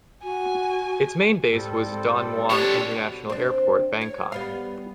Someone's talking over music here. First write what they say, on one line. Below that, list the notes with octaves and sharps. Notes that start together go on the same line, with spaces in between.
Its main base was Don Mueang International Airport, Bangkok.
F#4 G#5
G#2 G3 C4 A4
D4 G4 C#5
B2
C4 D4
C#5
G3 B3 F5